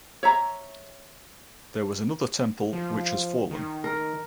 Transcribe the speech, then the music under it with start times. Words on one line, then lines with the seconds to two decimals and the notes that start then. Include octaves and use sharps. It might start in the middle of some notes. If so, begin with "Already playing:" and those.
There was another temple which has fallen.
0.23 C#5 E5 A#5
2.73 F3
3.51 D#3
3.84 A#4